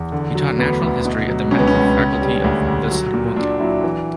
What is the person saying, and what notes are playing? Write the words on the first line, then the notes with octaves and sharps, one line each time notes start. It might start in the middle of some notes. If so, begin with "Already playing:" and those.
He taught natural history at the Medical Faculty of the Sorbonne.
Already playing: E2
D3
F#3
D2 B3
D2
B2
F#3
C#2 C#4
B3
C#4
C#2
C#3
G3
D2
D2
F#3
A#2
A#2 D4
F#3 E4
E3